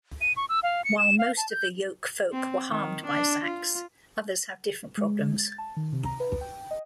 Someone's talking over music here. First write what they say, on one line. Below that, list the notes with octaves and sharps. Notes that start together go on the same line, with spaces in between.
While most of the Yolkfolk were harmed by Zaks, others have different problems.
D#7
C#6
E6
F5
C#7
E7
F5
A5
G6
C4
D#3
D4
F4
G#3
A6
A5
D#3
C3
A#5
B4
G5
D#5